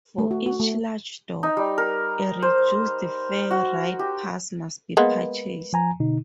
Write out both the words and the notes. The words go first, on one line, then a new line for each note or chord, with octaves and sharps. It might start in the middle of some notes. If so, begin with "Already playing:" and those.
For each "large dog", a reduced fare ride-pass must be purchased.
A3
F#4
F#4
A3
D#4
G3
A#4
C5
F#4
G4
G#3 A#3 B3
F3 G#5 A#5
B2 D3 D#4